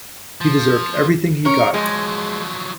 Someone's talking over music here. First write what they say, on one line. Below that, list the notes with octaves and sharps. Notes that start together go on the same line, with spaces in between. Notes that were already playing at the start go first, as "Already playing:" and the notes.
He deserved everything he got!
F3
C#4 A#4 C#5
F3 F#3 G#3